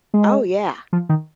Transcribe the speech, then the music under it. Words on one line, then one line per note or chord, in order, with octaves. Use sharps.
Oh, yeah.
G#3
F3
D#3